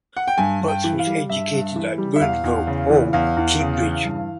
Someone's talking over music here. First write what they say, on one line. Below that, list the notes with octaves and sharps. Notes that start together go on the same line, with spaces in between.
Butts was educated at Gonville Hall Cambridge.
F#5
G5
G2 G#5
G2
G5
E3
F5
G3
G2 E5
G2
E3
G3
E5
E2 F5
E2
C#3
E3
E2 F5
E2
C#3
E3
G2